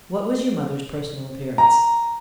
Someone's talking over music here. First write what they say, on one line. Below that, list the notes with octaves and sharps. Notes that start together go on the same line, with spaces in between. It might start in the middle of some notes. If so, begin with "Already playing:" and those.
"What was your mother's personal appearance?"
A#5